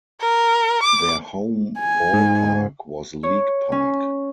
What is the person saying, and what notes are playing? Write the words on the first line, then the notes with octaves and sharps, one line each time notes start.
Their home ballpark was League Park.
A#4
D6
G#5
G#2
C#5
C#4